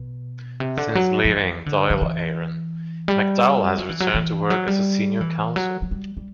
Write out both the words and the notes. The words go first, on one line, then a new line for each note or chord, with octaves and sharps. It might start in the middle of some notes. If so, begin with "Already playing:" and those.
Since leaving Dáil Éireann, McDowell has returned to work as a Senior Counsel.
Already playing: B2
C3
D3
F#3
F#3
E3
D3
F#3
E3
G3
F#3
E3
F#3
E3
F#3
G3
E3
F#3
F#3
G3
G3